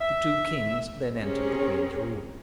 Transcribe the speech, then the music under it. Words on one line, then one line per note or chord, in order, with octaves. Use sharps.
The two Kings then entered the Queen's room.
E5
C4 C#4 G4 G#4 A#4 C#5